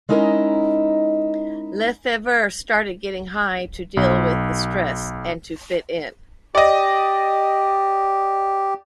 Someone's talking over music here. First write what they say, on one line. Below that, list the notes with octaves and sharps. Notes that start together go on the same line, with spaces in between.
LeFevre started getting high to deal with the stress and to fit in.
G#3 C#4 D#4 E4 A#4 D#5
B1
G4 D5 D#5